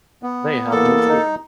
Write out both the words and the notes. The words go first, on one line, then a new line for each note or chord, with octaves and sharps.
They have no children.
B3
E2 A#3 A4
D#4